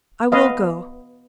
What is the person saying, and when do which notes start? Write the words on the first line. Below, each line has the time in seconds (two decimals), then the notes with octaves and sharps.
'I will go.
0.32 B3 B4 D#5 F5